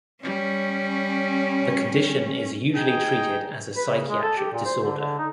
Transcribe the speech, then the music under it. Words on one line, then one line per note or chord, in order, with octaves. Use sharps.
The condition is usually treated as a psychiatric disorder.
G3 C#4
D#4 G#4 G5
B4
C#3
G#3
A4
G4
A#2
C5
D3
D3
D#4